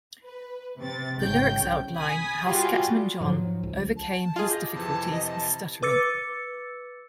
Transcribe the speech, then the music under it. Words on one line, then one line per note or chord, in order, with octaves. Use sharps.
The lyrics outline how Scatman John overcame his difficulties with stuttering.
B4
C3 C4 A6
G#1 C#3 G5 G6
C2
G#5 B5 D#6 B6
G3 F4 F#4 G#4
G#2 F3 F#3
C#2
A5
F4 G#4 D#5 F5
D6 G6 A#6
F2 C3 E3 A5
D#5
A5
B4 D6 E6 A6 C#7